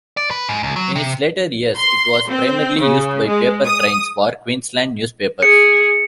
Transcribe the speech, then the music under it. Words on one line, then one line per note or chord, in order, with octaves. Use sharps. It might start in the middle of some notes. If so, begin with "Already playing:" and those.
In its later years, it was primarily used by paper trains for Queensland Newspapers.
D5
B4
G#2
C#2
F#3
C3
C6
C4
C#3
G#3
D#6
G#4 C#7